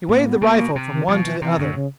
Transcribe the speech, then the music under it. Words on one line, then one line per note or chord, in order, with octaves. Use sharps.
He waved the rifle from one to the other.
A2 A#3
B3
B2 A#3
C3
D#3
B2 F3
E3
C3 E3
F#2 D3
C#3